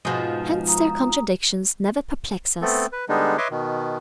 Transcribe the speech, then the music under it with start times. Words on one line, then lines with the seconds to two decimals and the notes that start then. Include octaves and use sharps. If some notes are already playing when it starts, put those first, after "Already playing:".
Hence their contradictions never perplex us.
0.05 G#2 B2 F3 G#3 D#5
0.68 A#5 D#6
2.62 A3 B3 C4 A4
2.93 B4
3.09 D3 G3 G#3 B3 D4 D#4
3.38 B4 C#5 D#5 E5 C6 D6
3.51 B2 D#3